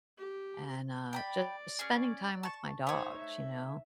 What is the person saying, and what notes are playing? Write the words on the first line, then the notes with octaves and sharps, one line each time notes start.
And, uh, just spending time with my dogs, you know?
G4
D5 G5 A#5 B5
C#4 G#4
A5 C#6
A3 D#4 C5 C#5
E5